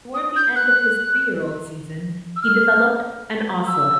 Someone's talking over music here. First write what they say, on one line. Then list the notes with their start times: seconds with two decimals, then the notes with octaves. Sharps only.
Toward the end of his three-year-old season, he developed an osselet.
0.14 D#6
0.36 G6
0.56 F#6
2.36 E6
2.42 F6
3.67 E6